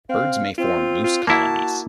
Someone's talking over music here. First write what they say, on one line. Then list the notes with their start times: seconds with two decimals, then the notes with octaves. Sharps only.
Birds may form loose colonies.
0.09 C4 F5
0.58 C4 F4
1.04 F4
1.27 A#3 E4 F#4 A5